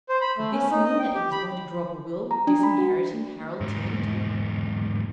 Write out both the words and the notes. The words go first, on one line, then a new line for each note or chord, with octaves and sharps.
Could this mean that he was going to draw up a will, disinheriting Harold Tillington?
C5
B5
A3
C#4
D#4
D#5
G5
G4
B5
A#5
D4
B5
F#4
E2 G#2